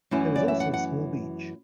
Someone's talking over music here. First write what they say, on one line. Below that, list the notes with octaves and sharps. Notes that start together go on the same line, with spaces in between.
There is also a small beach.
F#2 E3 A3 C#4 E4
D5
E5
F#5
F#5